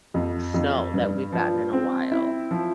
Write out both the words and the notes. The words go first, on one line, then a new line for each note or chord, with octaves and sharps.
snow that we've gotten in a while.
F2
F2
G2
F3
C4
E4
F3